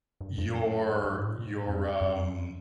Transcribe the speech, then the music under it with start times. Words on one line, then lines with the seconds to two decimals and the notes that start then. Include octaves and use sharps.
your your, um,
0.21 G2
0.29 F#2
0.38 F2
0.45 F#2
1.05 G2
1.14 G#2
1.26 A2
1.36 A#2
1.46 G#2
1.67 F2
1.87 G2
2.01 F#2
2.15 F2
2.29 F#2